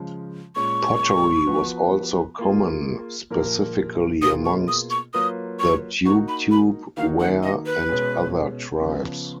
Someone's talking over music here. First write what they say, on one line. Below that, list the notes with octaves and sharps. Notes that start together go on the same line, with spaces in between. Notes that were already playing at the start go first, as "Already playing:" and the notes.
Pottery was also common, specifically amongst the Tubetube, Ware and other tribes.
Already playing: C#3 F3 G#3
A#2 G#3 C#4 C#6
F3 B3 F#4 B4
A#3 F4 G#4
A#2 F3 A#3 F4 A#4
B2 A#3 F4 G#4 D#6
C#6
D#6
C#6
F#3 A#3 F4 B4 D#6
C#6
A#3 D#4 F#4 C#6
B5
B5
D#3 A#3 D#4 F#4 F5
F#5
D#5
B4
B2 G#3 C#4 G#4
C#3 F3 B3